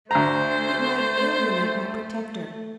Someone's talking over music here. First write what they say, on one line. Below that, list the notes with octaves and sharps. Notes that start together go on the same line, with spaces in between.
It might alienate my protector.
D2 A3 C5 A#5